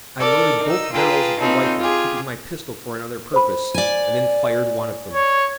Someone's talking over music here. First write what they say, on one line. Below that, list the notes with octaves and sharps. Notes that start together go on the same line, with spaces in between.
I loaded both barrels of the rifle, keeping my pistol for another purpose, and then fired one of them.
A4 A#4 D5 D6
D#4 E6
F4 G#4 B4 G5 A5 A#5
E3 C4 D#4 F4 A4 C#5
F4 G4 G#4
C5 B5
D5 G#5
C#5